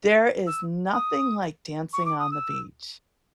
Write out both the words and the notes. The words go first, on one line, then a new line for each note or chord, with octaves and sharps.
there is nothing like dancing on the beach.
E6
D#6
C#6
D6
D#6
E6